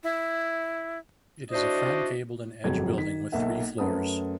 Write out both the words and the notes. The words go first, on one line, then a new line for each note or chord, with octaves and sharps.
It is a front-gabled and edge building with three floors.
E4
D4 E4 F#4 C5 D5 D#5
G1 F2 F#3 G#3 G#6
D#3 B6
B1 A#3 E5 F#5
F#2 A3 B4 F#5 A5 D#6